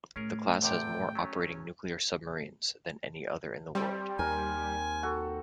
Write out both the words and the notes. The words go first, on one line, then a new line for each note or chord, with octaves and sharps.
The class has more operating nuclear submarines than any other in the world.
A2 C#4 G#4 A#4
A#1 E2 C3 A4 G5
F#3 A3 C#4
G3 C4
D#2 A#4 G#5
F#4 A4